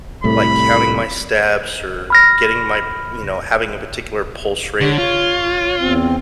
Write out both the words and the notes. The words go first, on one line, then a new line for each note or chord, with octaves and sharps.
like, counting my steps or getting my you know, having a particular pulse rate,
C2 A2 A3 B5
B5 F6 A#6
D3 C#5
F4
E2 C4